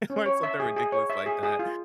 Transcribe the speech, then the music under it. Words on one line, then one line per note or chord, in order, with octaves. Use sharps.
or something ridiculous like that,
C#4
C#5
E5
G#4
G#4
C#5
E5
G#4
G#4
F4